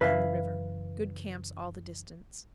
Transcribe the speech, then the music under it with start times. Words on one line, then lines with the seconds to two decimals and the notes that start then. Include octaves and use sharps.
Down the River.--Good camps all the distance.
0.01 F#2 C#3 E3 B4 E5 F5